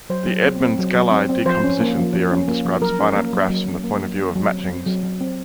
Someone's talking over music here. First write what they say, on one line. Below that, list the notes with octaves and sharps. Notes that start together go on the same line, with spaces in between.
The Edmonds-Gallai decomposition theorem describes finite graphs from the point of view of matchings.
F#3 C5
F#3
C4
C4
F#3
F#3
C4
C4
F3 C5
C#4
A#3
F3
F3
C#4
A#3
F3
F#3 A#4
C#4
A#3
F#3
F#3
C#4
A#3
F#3
F#3
F#3
C4
C4
F#3
F#3
C4